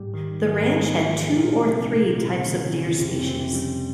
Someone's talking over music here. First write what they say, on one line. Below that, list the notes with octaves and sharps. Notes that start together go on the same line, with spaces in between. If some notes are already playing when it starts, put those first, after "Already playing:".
The ranch had two or three types of deer species.
Already playing: G#2 G3 G4
D#3
G#4
G#2 A#3 A#4
G#3 G#4
D#3
F3 F4
A#2 A#3 A#4
C3 C4
F3
C3 C4
A#2 C#3 C#4
D#3 D#4
F3
C#3 C#4
F2 C3 C4
C#4
C3 C4
C#3 F3
G3